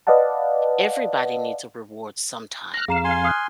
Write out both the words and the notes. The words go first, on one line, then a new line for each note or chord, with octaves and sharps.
everybody needs a reward sometime,
B4 D5 D#5 F5 F#5 A5
F6 F#6 A#6
F2 G#4 F5 A#5 E7
G#5 C6
D#6 F6 F#6